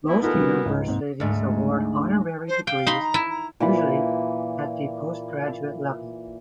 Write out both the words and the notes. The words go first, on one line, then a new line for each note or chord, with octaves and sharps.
Most universities award honorary degrees, usually at the postgraduate level.
B2 E4
E3 B3 D#4 F4 A4 A#4
C3 G3 F#4
C#2 G#2
D#2 G#2 C3
D2 G#2
C5
F5 G5
D#4 B5 C6
A#5
E4
A#5
A#2 E3 B5